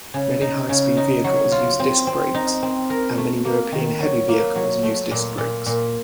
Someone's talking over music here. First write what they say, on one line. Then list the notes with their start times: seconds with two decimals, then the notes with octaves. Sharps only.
Many high-speed vehicles use disc brakes, and many European heavy vehicles use disc brakes.
0.14 C#3
0.41 D#4
0.69 C#3
0.97 D#4
1.24 F#3
1.52 F4
1.80 C4
2.07 C4
2.34 D#4
2.63 C4
2.90 A#4
3.18 A3
3.45 A#3
3.72 D#3
4.00 F#3
4.29 A#3
4.56 F#3
4.83 A3
5.11 A#2
5.38 A#2
5.66 A#2